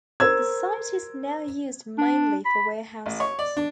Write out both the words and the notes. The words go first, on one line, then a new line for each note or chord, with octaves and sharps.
The site is now used mainly for warehouses.
A#4 C5 E6 G#6
D4
B5
A1
C#5
D5
D4